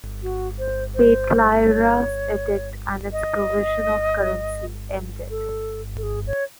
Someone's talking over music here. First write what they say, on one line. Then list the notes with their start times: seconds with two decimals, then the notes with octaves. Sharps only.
Petlyura's edict and its provision of currency ended.
0.22 F#4
0.59 C5
0.95 C5
1.67 C#5
3.13 D#5
5.30 A4
5.98 A4
6.03 G#4
6.27 C#5